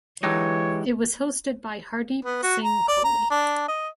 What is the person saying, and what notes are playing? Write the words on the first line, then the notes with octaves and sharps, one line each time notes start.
It was hosted by Hardeep Singh Kohli.
D3 E3 F#3 G#3 D#4 G4 C#5
B3
F#4
A#5
D5
A#5
D4
D#5